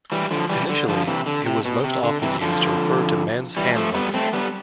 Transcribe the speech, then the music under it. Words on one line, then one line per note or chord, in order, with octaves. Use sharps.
Initially, it was most often used to refer to men's hand-luggage.
E3 G3
D3 F3
E3 G3
D3
D3 F3
C3 E3
D3
C3
B2
C3
D3
C3 E3
D3 F3
E3 G3
F3 A3
G3 B3
A3 C4
G3 B3